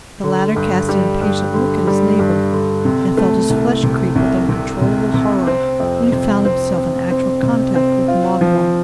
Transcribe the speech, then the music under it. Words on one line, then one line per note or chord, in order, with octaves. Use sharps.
The latter cast an impatient look at his neighbor, and felt his flesh creep with uncontrollable horror when he found himself in actual contact with Magua.
D3
G2
G3
G2
D3
G3
G2
D3
C3
A3
C2
C3
C2
C3
C3
C3
C4
F2
C3
C4
C4
C4
C3
C4
F4
F3